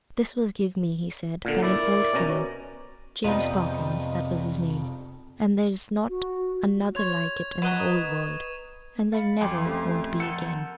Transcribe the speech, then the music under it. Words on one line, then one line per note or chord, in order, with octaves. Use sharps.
"This was give me," he said, "by an old feller--James Parkins, that was his name--and there's not another like it in the whole world, and there never won't be again."
A#2 D3
E4 A#4 D5
B2 C#4 A#5
F2 C3 F3 G3 B3 D#4 B4 D#5
F#4
C#5 C6 C#6 G#6 F7
B4 D#5 F#5 A#5 C#6 F#6 D#7 E7
D#6
F5 B5 A6 C#7
F2 F5 G5 G#5 B5 C6 D6
A3 C4 C#4 G4 C7
A#4 F#5 A5 A#5 E6 G6